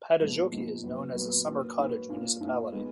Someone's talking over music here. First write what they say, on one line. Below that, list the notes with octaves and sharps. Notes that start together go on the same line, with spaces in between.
Padasjoki is known as a summer cottage municipality.
A#2 F3 G#3 B3 D#4
A#2 F3 G#3 B3 D#4
A#2 F#3 B3 F#4 B4
A#2 F#3 B3 F#4 B4
A#3 C#4 F#4 B4
A#3 C#4 F#4 B4
A#3 C#4 F4
A#3 C#4 F4
G#3 B3 D#4 G#4